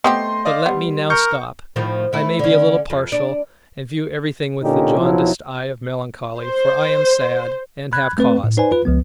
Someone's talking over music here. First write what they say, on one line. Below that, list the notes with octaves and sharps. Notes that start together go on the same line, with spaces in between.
But let me now stop; I may be a little partial, and view everything with the jaundiced eye of melancholy--for I am sad--and have cause.
A3 B3 C4 G4 D#5 C6 G6
D5 D#5 F5
G3 B3
A#4 C#6 G6 C#7
A2 D#3 F3
A3 E4
D3 C#4
F2
D4
A#2 D3 C#4 D#4 G4
B1 F3 F#3 E4
C5
B5 F#6 G#6
A3 C4 B4
A2
D#4 B4 C5 D5 G#5
F4 B4
C#2 F3 B3